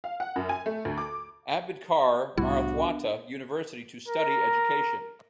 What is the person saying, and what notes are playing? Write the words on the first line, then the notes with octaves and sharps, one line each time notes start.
Ambedkar Marathwada university to study education.
F5
F#5
F#2
G#5
A3
D2
D6
C2 A2 G3 B3 D4 E4 F#4
A#4